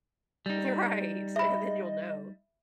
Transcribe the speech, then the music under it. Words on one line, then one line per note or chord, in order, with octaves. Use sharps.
You're right, and then you'll know.
G3 D#4
D#5 E5 B5